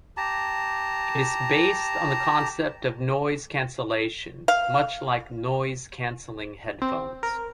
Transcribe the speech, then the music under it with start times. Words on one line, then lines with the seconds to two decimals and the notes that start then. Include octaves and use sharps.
It is based on the concept of noise cancellation, much like noise-cancelling headphones.
0.17 G4 A5 A#5
4.48 F5
6.82 C4
7.23 A#4